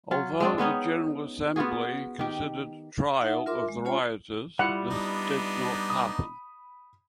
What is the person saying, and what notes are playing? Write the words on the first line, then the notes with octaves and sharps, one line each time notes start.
Although the General Assembly considered trial of the rioters this did not happen.
F#3 F4
G#3 C4 D4
G#3 B3 C#4 D#4
B3 F4 F#4 G#4
D#3 G4
D#4 E5 F#5
F4 A#4 E5 C6 D6
G#3
C#4 F4 C5 C#5 G#5 B5
G3 E4 F4 F#5
B3 D4 D#4
B5 D#6